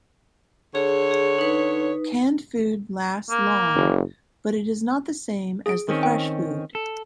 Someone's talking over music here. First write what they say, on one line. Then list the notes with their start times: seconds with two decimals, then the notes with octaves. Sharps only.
Canned food lasts long but is not the same as the fresh food.
0.75 D3 G#4 C#5
1.11 G#4
1.39 D#4 B4
3.30 A#3
3.75 F#1
5.66 G#4 D7
5.89 D#3 C4 C#4
6.03 G5
6.75 A4